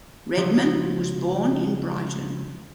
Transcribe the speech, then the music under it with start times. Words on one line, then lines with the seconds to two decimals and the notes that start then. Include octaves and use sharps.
Redman was born in Brighton.
0.38 C#2 F3 F#3